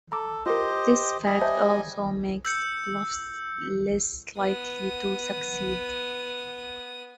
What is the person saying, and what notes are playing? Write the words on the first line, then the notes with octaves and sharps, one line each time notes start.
This fact also makes bluffs less likely to succeed.
A4 A#5 D6
F4 G4 A#4 C5 D#5
G3 D#5 G#5
C5 E5 A5
E6 G6 C#7
B3 D#6